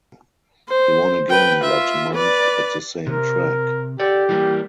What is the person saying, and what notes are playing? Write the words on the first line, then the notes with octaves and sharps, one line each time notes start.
He won again that month at the same track.
C5
B4 G5
F4 E5
B4 D5
C3 A#4
G4 A4 D5
E3 G3 A#3